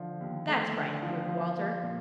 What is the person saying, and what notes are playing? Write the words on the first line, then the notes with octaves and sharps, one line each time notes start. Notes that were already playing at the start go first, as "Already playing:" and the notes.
"That's right," approved Walter.
Already playing: D3 F3
D#2
A3
D3
F3
F3
A#3
A#2